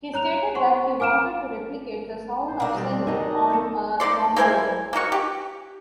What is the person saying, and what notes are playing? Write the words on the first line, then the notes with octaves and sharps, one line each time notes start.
He stated that he wanted to replicate the sound of cello on a trombone.
C#5 A#5 F#6 F7
C5 F#5 C6 C#6
G#5 D6 F6 D7 E7
C#2 A2 C5
E2 B2 C4 D4
G3 G4 D5
D#4 A#4 D#5 G#5
A#3 B3 A4
D#4 E4 D5 C6
A#3 E4 C5 G#5
A#3 D#4 F#4 C#6
G4